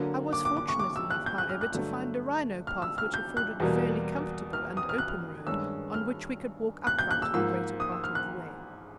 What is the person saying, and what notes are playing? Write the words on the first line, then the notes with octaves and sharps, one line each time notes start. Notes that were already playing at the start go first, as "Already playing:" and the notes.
I was fortunate enough, however, to find a rhino path which afforded a fairly comfortable and open road, on which we could walk upright the greater part of the way.
Already playing: D3 F#3 A#3
D6
D6
D6
C#6
D6
E6
F#6
G6
F#6
F6
F#6
G2 D3 F#3 A3
F6
E6
F6
G6
F#6
E2 B2 G3 A#3
F6
D#6
F6
F#6
F6
G2 D#3 G#3 C#4 E6
F6
F#6
G6
F#6
E6
G#2 F3 A#3 E6
D#6
E6
F6
F#6